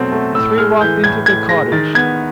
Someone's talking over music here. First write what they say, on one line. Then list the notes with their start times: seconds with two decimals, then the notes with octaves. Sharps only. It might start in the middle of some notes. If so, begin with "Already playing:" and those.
The three walked into the cottage.
Already playing: B2 F#3 A3 C4
0.12 A3
0.35 A2 E6
0.58 G#3 F6
0.81 E3 G6
1.03 A2 G#6
1.26 A2 G#6
1.49 G#3 A#6
1.72 D#3 A6
1.95 B3 G#6